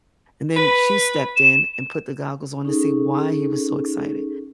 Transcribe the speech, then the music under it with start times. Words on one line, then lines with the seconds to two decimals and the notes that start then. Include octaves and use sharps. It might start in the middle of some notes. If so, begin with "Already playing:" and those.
and then she stepped in and put the goggles on to see why he was so excited,
0.56 B4
1.36 E7
2.65 C#4 D#4 G#4 A4